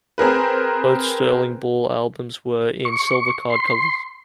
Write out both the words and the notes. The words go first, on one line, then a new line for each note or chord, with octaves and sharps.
Both Sterling Ball albums were in silver card covers.
C4 G#4 A#4 B4
C#6
C6